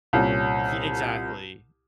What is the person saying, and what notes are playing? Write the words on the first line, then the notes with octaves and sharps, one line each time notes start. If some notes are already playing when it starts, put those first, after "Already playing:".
ye exactly.
C2 A#2 C#4